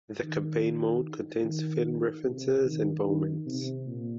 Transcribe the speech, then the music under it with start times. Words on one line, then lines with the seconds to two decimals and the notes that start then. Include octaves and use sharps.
The Campaign mode contains film references and moments.
0.23 D#3
1.44 D#3
2.24 C3
2.66 D#3
3.06 D#3
3.46 C3
3.86 A#2